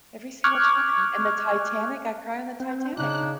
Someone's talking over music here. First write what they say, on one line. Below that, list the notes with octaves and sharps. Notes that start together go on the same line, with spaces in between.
every single time, and the Titanic, I cry on the Titanic.
C#6 D6 F6 F#6 G#6
C4
C#3 D4 D#4 F#6